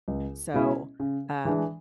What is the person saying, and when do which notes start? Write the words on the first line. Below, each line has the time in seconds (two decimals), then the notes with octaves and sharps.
So, um,
0.08 C#2
0.54 B2 G#3 C#4 E4
1.00 C#3
1.45 E3 G#3 D4